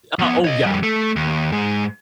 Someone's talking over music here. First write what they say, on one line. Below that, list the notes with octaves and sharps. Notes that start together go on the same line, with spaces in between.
Uh, oh yeah,
F3 B3
C#5 D#5
F2 G3
A3
D#2
G#2 G#3